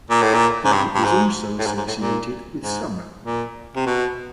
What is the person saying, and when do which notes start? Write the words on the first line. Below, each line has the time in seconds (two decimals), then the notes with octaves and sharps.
He is also associated with summer.
0.10 A#2
0.22 A2
0.34 A#2
0.64 G#2
0.72 G2
0.95 G2
1.04 G#2
1.58 A2
1.66 G#2
1.77 G#2
1.87 A2
1.98 A#2
2.60 G#2
3.23 A#2
3.75 C3
3.86 B2